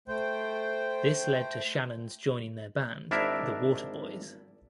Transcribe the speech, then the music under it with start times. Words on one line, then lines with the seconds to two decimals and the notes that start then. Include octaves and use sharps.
This led to Shannon's joining their band, The Waterboys.
0.08 A3 C5 G5
3.11 G#1 D4 E4 A#4 E5